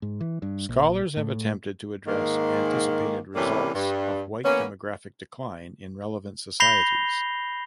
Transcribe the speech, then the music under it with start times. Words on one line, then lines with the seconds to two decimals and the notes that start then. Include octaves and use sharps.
Scholars have attempted to address anticipated results of white demographic decline in relevant societies.
0.02 G#2
0.21 E3
0.42 G2
0.69 A#1
1.17 A2
2.08 G#2 D#3 A#3
3.34 A2 C3 E3 G3 A#3 C#4
3.73 G2
4.44 E3 A#3 B3 C#4
6.60 B5 G6 A#6 C7 F7 G7